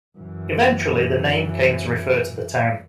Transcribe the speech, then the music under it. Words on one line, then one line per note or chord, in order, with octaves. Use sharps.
Eventually the name came to refer to the town.
F#2 E3